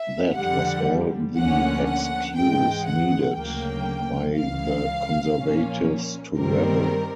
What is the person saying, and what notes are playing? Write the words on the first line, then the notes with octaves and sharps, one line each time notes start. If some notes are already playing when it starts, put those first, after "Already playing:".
That was all the excuse needed by the conservatives to rebel.
Already playing: E5
F2 D3 G3 F#5
D2 D3 F3 A#3 C#4 F#5
F#5
G#2 E3 G#3 G5
F#5
D2 C#3 F#3 A#3 G5
C#2 C#3 E3 F5
A#2 F3 A#3 C#4
G2 D#3 G3 C4 A#4